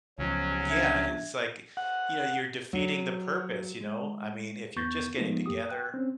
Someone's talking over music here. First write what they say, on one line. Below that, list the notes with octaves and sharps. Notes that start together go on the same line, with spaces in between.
Yeah, it's like, you know, you're defeating the purpose, you know? I mean, if you're just getting together,
C#2 F3 F#3 C#4
D4 E5 G#6
F#5
F#3
G#3
E2 B3 C#6 G6 A6
F3 G#3 A3 B3 D#4 F4
F#2 A#3 G4 D#6
G5 F#6
C4 C#4